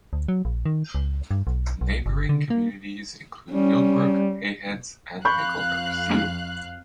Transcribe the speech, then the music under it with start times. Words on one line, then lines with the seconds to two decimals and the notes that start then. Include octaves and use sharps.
Neighbouring communities include Millbrook, Heyheads and Micklehurst.
0.13 D2
0.28 F#3
0.45 A#1
0.66 D#3
0.95 C#2
1.31 G2
1.47 B1
1.81 B1
2.06 G1
2.29 D3
2.50 A#3
3.52 G3 C#4
5.25 F2 F5 B5 C#6 F#6 G6